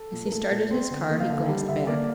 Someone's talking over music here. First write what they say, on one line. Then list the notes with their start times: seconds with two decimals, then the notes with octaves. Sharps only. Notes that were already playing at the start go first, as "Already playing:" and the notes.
As he started his car he glanced back.
Already playing: A4
0.13 A#2
0.26 A#4
0.31 A3 A4
0.51 A#2 A#4
0.71 C4 C5
0.91 D3
1.10 A#3
1.20 F5
1.30 D3
1.49 G3
1.68 D3 E5
1.87 A#3 D5